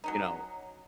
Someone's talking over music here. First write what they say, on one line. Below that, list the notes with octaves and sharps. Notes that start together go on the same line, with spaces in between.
you know,
F#3 C#4 D#4